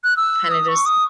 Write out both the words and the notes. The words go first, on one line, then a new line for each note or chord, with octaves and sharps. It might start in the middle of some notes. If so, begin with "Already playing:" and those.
kinda just
F#6
E6
D#6
C#6
D#6